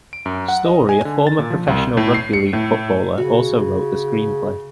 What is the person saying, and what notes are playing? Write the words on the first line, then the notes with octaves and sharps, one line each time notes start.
Storey, a former professional rugby league footballer, also wrote the screenplay.
D7
F#2
F#5
D#5
G#5
D3
A6
A#2
F3
C2
A2
C7
C#7
A2
C#3 F#4